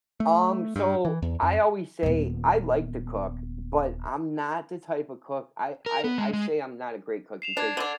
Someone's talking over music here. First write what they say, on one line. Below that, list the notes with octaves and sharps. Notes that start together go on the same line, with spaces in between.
Um, so I always say I like to cook, but I'm not the type of cook I I I say I'm not a great cook because
A3
G2
E3
E2
F2
D#1 B3
A#4
B3
G#3
G#3
C7 E7 F7
D4 G#6 C7
D3 D4